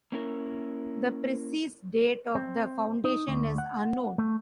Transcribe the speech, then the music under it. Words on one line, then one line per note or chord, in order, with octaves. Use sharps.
The precise date of the foundation is unknown.
A#3 C#4 E4 A#4
C4
D#4
D2
F#5
A3